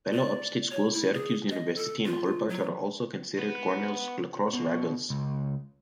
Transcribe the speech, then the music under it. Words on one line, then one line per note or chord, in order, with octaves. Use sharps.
Fellow upstate schools Syracuse University and Hobart are also considered Cornell's lacrosse rivals.
D5
C#5
E4
G#4
D#5
A4
F4
F#3
B3
B2
C#2